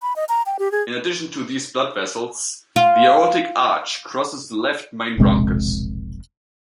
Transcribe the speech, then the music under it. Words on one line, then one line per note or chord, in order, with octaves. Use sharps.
In addition to these blood vessels, the aortic arch crosses the left main bronchus.
B5
D#5
A#5
G5
G4
G#4
F4
E1 A#1 C3 G#3